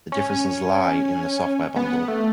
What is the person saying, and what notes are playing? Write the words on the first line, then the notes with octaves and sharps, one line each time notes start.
The differences lie in the software bundle.
C#4
B3
A3